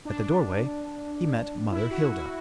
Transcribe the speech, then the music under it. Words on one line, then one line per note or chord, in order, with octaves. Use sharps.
At the doorway he met Mother Hilda.
D4
E4
F#4
F#4